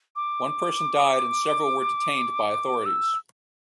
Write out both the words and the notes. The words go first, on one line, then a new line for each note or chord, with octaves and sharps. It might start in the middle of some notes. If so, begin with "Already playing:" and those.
One person died and several were detained by authorities.
D6
E6